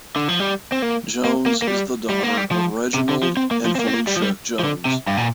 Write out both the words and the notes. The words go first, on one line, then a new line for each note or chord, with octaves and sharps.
Jones is the daughter of Reginald and Felicia Jones.
D3
F3
G3
C4
A#3
A#3
A#3
A#3
G3
G3
A#3
G3
F3
C3
D3
F3
C4
A#3
F3
C4
A#3
C4
A#3
G3
F3
G3
F3
D3
C3
G2
A#2